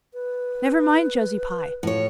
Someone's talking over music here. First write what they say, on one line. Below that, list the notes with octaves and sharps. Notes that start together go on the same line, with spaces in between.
Never mind Josie Pye.
B4
A2 F3 C#5